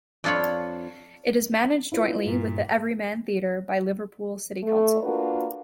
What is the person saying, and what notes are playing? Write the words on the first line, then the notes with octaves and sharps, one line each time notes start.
It is managed jointly with the Everyman Theatre by Liverpool City Council.
F2 D4 F4 C#5 B5
E4 F4 B4
G2 A#2
A3
A#3 D4 F4 F#4 A#4 B4